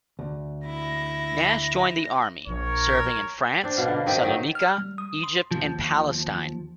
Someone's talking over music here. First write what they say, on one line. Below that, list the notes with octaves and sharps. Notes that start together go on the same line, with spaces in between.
Nash joined the army, serving in France, Salonika, Egypt and Palestine.
D2
E4 A#6
A#1 A#4 C#5
C4 D4
B2 F5
D3 A#3
D#3 C4 G4
D#3 F#3
F6
G3
D#6
C6
D#2 F3